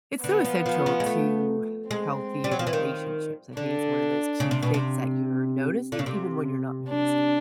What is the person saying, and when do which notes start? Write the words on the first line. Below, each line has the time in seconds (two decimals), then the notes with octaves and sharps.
It's so essential to h healthy relationships. I think it's one of those key things that you're noticing even when you're not noticing.
0.23 D3 B3
0.44 F3
0.66 F3
0.86 F3
1.00 G#3
1.06 A3
1.90 G#3 C4
2.44 G3
2.52 F#3
2.59 F3
2.67 E3
2.73 D#3
3.57 D3 D4
4.40 C#3
4.51 C3
4.63 B2
4.74 C3
5.92 D3
5.99 C#3
6.06 C3
6.90 D4